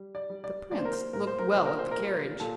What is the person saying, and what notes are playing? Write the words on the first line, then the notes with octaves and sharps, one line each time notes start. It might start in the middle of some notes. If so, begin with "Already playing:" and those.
The prince looked well at the carriage.
Already playing: G3
D5
G3
D5
A#3 D5
C5
A#4
C5
A2 A#4
C5
A#4
A#2 C5
A#4
C5
A#4
G3
A#2 A4